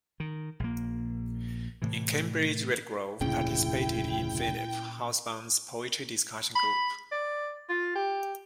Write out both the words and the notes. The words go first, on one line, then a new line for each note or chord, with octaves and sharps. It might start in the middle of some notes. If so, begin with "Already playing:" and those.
In Cambridge Redgrove participated in Philip Hobsbaum's poetry discussion group.
D#3
A#1 A#3
A2 C3 E3
F1 D2 A#2 C#3 C#4 E4 G5
B5
D5
F4
G4